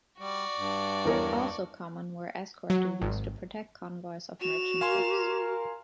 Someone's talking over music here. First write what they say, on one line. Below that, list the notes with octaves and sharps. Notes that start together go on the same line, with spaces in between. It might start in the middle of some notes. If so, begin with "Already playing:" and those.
Also common were escort duties to protect convoys of merchant ships.
G3 F#4 D5
G2
E2 A#4 C#5
F#3
G#1
F#4 E7 F7
A#4 F5 G#5 C6